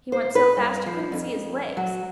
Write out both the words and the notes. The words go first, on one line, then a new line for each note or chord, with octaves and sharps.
He went so fast you couldn't see his legs.
C5
B4
G2
F3
F2
F#3